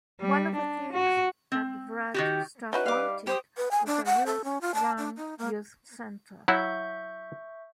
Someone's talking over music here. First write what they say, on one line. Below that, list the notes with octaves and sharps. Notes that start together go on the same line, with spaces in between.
One of the things that the Brat staff wanted was a youth-run youth center.
G3
D4
F#4
C4
D#3 F#4 G4
C#4 D#4 E4 F#4 B4
G3 F5 D6
G4 C5 C6 D#6
B4
G#5
D4
F#5
A4
C#4
F4
A5
D4
D#4
A#3
F#3 E4 F#4 E5 C#6 G6